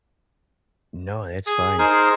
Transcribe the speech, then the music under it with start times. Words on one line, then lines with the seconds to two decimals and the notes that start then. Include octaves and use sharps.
No, it's fine.
1.47 G#4
1.79 D#4 G#4 A#4 C5